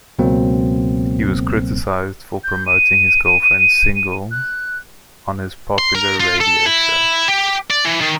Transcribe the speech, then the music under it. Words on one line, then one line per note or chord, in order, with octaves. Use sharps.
He was criticised for promoting his girlfriend's single on his popular radio show.
C#2 B2 F#3 A#3 C4
G6
D#7
F#6
C6
A#4
F4
A4
E4
G4
D5
E3
D#3